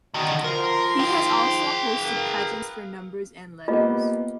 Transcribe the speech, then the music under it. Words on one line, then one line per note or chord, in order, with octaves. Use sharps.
He has also hosted pageants for numbers and letters.
D3 D#3 F#4 D#5
F3 A#4 C6
G#4 G5
A#4 B4 F5
A#3 B3 F4 G4 D#5